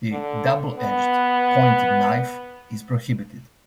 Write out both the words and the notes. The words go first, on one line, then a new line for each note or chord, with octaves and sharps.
The double edged pointed knife is prohibited.
D3
B3